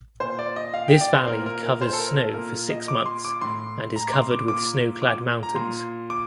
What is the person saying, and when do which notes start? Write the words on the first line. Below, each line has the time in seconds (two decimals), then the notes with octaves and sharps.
This valley covers snow for six months and is covered with snow clad mountains.
0.20 A#2 C5
0.39 D5
0.56 D#5
0.74 F5
0.88 G5
1.01 D5
1.14 C5
1.27 A#2 A#4
1.46 A#4
1.63 A#4
1.81 C5
1.93 A4
1.99 A#4
2.17 A4
2.34 A#2 A#4
2.70 D#5
2.88 D6
3.06 C6
3.25 D6
3.41 A2 C6
3.96 A#5
4.08 D6
4.13 C6
4.31 D6
4.48 A#2 D6
5.02 D6
5.43 A#5
5.55 A#2 C6
6.10 D6